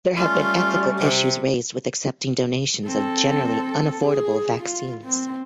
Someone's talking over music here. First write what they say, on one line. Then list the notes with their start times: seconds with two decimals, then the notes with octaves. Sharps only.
There have been ethical issues raised with accepting donations of generally unaffordable vaccines.
0.17 G3 A3 C#4 F4 D5
1.00 C3
2.87 C4 A4
4.04 G#4
4.63 F4
5.04 C4